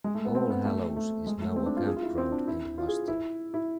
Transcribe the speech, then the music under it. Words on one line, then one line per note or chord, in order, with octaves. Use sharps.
All Hallows is now a campground and hostel.
G#3
A3
B3
C4
B3
A3
A3
G#3
A3
C4
D4
F4
G#4
F4
E4
C4
D4
E4
F4
G#4
E4
E4